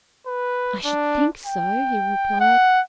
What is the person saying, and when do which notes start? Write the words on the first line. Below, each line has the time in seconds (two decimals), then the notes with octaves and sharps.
"I should think so!" he replied.
0.27 B4
0.85 D4
1.46 G5
2.40 F#5